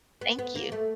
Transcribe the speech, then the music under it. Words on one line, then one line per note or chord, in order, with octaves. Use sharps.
thank you.
B3
B3
A#3
A3